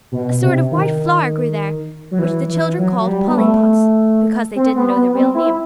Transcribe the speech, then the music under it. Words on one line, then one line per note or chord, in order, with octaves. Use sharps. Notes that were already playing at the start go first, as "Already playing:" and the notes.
A sort of white flower grew there, which the children called Pollypods, because they didn't know the real name.
B2
C3
D#3
F#3
E3
E3
F#3
F#3
G3
B3
A3
C4
B3
B3
C4
E4